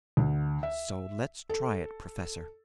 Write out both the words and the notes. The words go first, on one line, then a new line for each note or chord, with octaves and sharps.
"So let's try it, professor."
D2
E5
A4